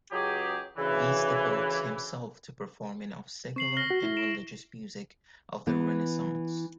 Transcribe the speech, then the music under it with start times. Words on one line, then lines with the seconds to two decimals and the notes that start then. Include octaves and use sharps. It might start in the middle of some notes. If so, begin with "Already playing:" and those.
Visse devotes himself to performing of secular and religious music of the Renaissance.
0.11 C#2 F#3 G4 G#4
0.77 D2 C#3 E3
3.56 C4 C#6 C7 F#7
3.77 F6 A#6 G7
3.90 F#4
4.03 E4
4.17 D7 E7
5.67 E3 B3